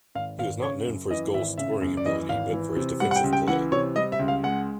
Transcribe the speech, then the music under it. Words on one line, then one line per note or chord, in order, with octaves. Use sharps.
He was not known for his goal scoring ability, but for his defensive play.
G#1 F5
G#1 F5
C#3 C#5
F#2
E3 D#5
G#1 E5
C#3 E5
F#2
D5
E3 D#5
G#1 F5
E3
C3
G3 F#5
F#5
G5
C#2
G5
E3 F#5
C3 C#5
G3 D#5
E5
C#2
F5
G#3 F#5